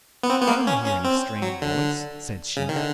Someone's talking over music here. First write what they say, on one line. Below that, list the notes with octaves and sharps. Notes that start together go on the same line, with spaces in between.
"I don't hear any strange voice," said she.
B3
C4
B3
A#3
C#4
C#4
C4
F#3
D3
C#3
D#3
D3